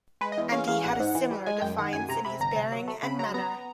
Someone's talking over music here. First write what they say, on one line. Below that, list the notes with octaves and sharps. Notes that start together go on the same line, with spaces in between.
And he had a similar defiance in his bearing and manner.
G#3 B4
D#5
E2
C#4 F5
E2 F5
A1 F#5
G#2
E3
G3
G#3 G#5
F#2 G5
D#3 F#5
F#2 G#5
C3 A#5
C3 B5
G1 A#5
C3
F#3
A3
C#3 B5
F#3 A#5
B3 A#5